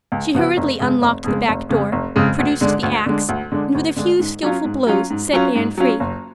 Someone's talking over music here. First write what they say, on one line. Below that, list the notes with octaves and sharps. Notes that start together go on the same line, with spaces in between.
She hurriedly unlocked the back door, produced the axe, and with a few skillfull blows set Anne free.
C#2
C#3 F3 B3 F#4
F1
F2 C#3 G#3
F1
F2 C#3 G#3
F1
F2 C#3 G#3
F1
F2 C#3 G#3
D2
D3 G#3 D4
D2
D3 G#3 D4
D2
D3 G#3 D4
D2
D3 G#3 D4
G#2
F#3 C#4 F4
G#2
F#3 C#4 F4
G#2
F#3 C#4 F4
G#2
F#3 C#4 F4
F#1